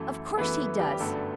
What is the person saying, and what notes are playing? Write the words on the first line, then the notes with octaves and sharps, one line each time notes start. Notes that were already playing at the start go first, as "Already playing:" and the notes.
Of course he does.
Already playing: F#2 E3 A3 A4
F#2 E3 A3 B3 B4
G3 G4
G1 F#2 D3 G3 A3 B3 A4